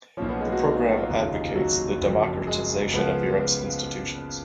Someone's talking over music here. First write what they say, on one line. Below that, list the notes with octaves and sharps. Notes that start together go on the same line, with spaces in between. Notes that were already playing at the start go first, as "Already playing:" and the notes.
The program advocates the democratisation of Europe's institutions.
B1 A#2 F3 C#4 C#5
B3 B4
G#3 G#4
F#3 F#4
D#4
F4
F#3 F#4
F4
F1 D#2 C#3 F3 D#4
F4
D#4
F4
F#3 F#4
F#1 F2 F3
G#3 G#4
C#2 C#3 F3 B3 B4